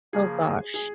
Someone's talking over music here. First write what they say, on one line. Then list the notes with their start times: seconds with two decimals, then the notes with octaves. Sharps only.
Oh gosh.
0.13 C#3 F3 A#3 G#4
0.74 G#4